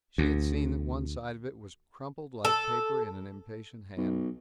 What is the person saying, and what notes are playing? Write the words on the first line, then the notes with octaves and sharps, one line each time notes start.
She had seen that one side of it was crumpled like paper in an impatient hand.
D2
A4
B1